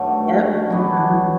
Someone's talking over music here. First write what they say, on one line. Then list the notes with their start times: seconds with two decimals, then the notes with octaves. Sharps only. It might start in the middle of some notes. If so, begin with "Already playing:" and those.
Yep. Mhm.
Already playing: G2 D#3 F#3 A3
0.70 C#3 F#3 B3 D4